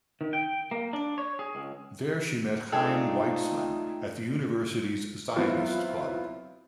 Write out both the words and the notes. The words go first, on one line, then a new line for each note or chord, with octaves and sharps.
There she met Chaim Weizmann at the University's Zionist Club.
D#3
G5
A#3
D4
C#5
G#4
C#2
A3 D4 D#4 F4 G#4 A4 G5
F#3 B3 C4 E4 F4